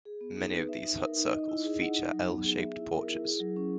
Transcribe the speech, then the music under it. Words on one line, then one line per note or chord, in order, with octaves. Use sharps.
Many of these hut circles feature L-shaped porches.
G#4
B3
D#4
B4
E5
D#4
A#4
D#4
D#5
E4
G#4
F#5
D#4
F#3
B3
G#4
E5
E4
A#4
E4
G#4
F#3
C#4